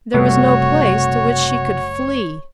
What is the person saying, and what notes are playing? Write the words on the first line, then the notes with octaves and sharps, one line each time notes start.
There was no place to which she could flee.
F#1 C3 G3 A3 F#4 C#5